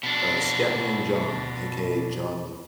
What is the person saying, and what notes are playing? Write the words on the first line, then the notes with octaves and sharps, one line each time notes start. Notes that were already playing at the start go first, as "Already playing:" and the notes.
Uh, Scatman John, AKA John Lar
B2 D4